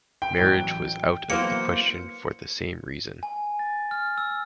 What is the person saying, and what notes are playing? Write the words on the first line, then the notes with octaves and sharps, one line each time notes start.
Marriage was out of the question for the same reason.
G5
A1 E3 F#3
E3 F#3 A#3 B3 C5 C#7
G#5
A6
F6
E6